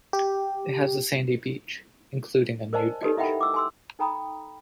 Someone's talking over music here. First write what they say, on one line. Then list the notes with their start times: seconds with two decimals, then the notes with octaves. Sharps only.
It has a sandy beach, including a nude beach.
0.13 G4
2.73 A#4 C5 D5 D#5 G#5 A5
3.03 D#4 G4 A4 B4 C#5 D#5
3.17 E4 D#5 E5 F#5 G5 B5
3.41 D6 E6
3.54 G#5 C6 E6
3.99 D#4 A4 G5 A#5 B5 D#6